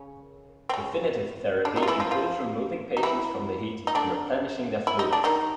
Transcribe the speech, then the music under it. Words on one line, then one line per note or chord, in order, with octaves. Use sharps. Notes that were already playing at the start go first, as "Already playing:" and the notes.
Definitive therapy includes removing patients from the heat and replenishing their fluids.
Already playing: C#3 C#4
C4
C#3 C#4
D3 D4
D#3 D#4
F4
E3 E4
F3 F4
F3 F4
D#4
E3 E4
D#4
D3 D4
E4
D#4
D4
D#3 D#4